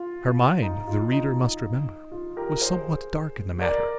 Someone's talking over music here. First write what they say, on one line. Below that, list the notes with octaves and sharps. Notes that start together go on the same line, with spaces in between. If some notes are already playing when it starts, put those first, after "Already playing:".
Her mind, the reader must remember, was somewhat dark in the matter.
Already playing: F4
D#4
F4
D#4
F4
G4 A#4
G#4 C5
A#4 D5